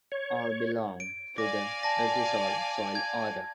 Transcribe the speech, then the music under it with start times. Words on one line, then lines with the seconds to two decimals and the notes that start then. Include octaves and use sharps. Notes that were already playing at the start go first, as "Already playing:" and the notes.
All belong to the Ultisol soil order.
0.12 C#5
1.00 D7
1.38 D5 F5 G#5 D6 A#6
1.83 A5 A#6
2.95 G#6